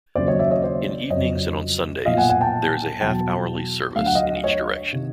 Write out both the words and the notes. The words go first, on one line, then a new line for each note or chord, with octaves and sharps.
In evenings and on Sundays there is a half-hourly service in each direction.
D#2 C#3 F#3 C5 D5
C#5 D#5
D5 E5
C#5 D#5
C5 D5
F2 C#3 F#3 C#5 D#5
B1 A#2 F3 D#5 F5
F#5 G#5
F#5 G#5
G5 A5
E2 B2 F#3 G5 A5
D2 D3 F#3 F5
F#5
D#5 F5
C#5 D#5
C3 D#3